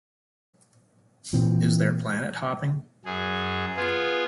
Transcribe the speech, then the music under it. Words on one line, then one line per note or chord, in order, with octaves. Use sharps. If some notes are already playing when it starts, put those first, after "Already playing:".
Is there planet hopping?
A#2 E3 C4
F#2 G#4
B3 F4 G#4